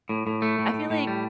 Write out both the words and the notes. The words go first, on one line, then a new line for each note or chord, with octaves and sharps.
I feel like
A2
A2
A3
A2
A2
A2
G3